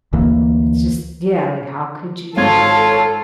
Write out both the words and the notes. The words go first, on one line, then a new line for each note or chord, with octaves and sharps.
it's just yeah, like, how could you
D2 E3 A#3
G#1 G#2 F4 A4 C#5 G#6